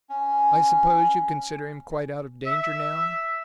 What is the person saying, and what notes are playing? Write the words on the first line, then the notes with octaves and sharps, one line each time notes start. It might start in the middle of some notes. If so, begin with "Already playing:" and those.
"I suppose you consider him quite out of danger now?"
C#4
E5